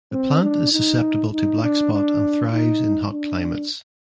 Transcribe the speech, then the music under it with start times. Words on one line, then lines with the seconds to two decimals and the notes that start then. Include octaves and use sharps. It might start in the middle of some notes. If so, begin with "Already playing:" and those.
The plant is susceptible to blackspot and thrives in hot climates.
0.13 C4
0.43 D4
0.73 D#4
1.32 D#4
1.63 D4
1.93 D4
2.54 D#4
3.13 D4